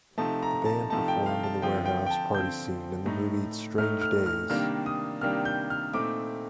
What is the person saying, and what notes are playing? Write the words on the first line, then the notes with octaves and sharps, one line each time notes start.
The band performed in the warehouse party scene in the movie "Strange Days".
C3 F3 A3 D#4 A5
A#5
A5
C3 F3 A3 D#4 A5
G5
F5
A5
D3 F3 C4 G5
G5
G5
A5
D3 F3 C4 G6
A2 A3 D#4
A2 A3 D#4 F6
F6
F6
C3 D#3 G3 A#3 D4 F6
D#6
C3 D#3 G3 A#3 D4 F6
G6
F6
A#2 A3 C4 D#4 D6